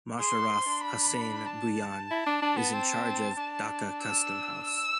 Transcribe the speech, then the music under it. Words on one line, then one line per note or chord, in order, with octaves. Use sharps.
Mosharraf Hossain Bhuiyan is in charge of Dhaka Custom House.
G#4 C6
A4
C5
D4
B5
A5
E4
D4
D4
B3
C4
D4
E6
E6